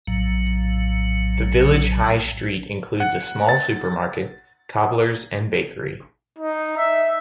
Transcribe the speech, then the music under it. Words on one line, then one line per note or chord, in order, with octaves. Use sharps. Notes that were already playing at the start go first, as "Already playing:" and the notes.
The village high street includes a small supermarket, cobblers and bakery.
A#1 A2 F#3
F#5
A6
D#4
E5